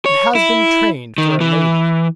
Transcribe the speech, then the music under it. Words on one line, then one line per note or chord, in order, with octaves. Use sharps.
It has been trained for a lady.
C#5
E4
D#3
E3